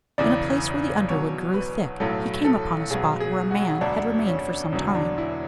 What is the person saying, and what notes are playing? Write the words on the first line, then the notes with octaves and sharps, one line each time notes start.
In a place where the underwood grew thick, he came upon a spot where a man had remained for some time.
E1 E2 C#3 E3 D5
E2 B2 F#3 C#5
B4
B1 A2 F#3 A4
A4
B1 B2 F#3 G#4
G#4
F#4
E1 D2 D3 F#3 D4
C#4
E1 E2 D3 F#3
D4
E4